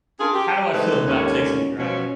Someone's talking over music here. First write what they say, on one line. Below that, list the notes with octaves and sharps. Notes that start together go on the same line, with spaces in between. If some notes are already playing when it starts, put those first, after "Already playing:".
how do I feel about texting and driving?
C#4 D4 F4 G#4 A#4
G4
G#3 A3 C4 D#4 B4 C5
D#2 G#2 D3 C#4
B2 F3 C#4